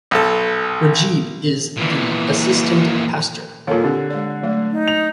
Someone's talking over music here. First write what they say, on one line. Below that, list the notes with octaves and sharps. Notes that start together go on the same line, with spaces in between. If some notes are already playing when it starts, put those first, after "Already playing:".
Rajib is the assistant pastor.
B1 A4
A#2 E3
D#2 A#2 A4 A#4 C#5
D3 C4 G4
G#3 D5
F#3 A3
D#4
F7